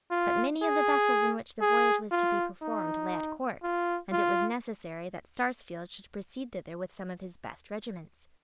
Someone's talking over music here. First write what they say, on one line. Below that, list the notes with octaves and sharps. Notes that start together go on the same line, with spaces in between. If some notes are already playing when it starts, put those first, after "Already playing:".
But many of the vessels in which the voyage was to be performed lay at Cork; and it was necessary that Sarsfield should proceed thither with some of his best regiments.
F4
G#4
G#4
F4
D#4
F4
F4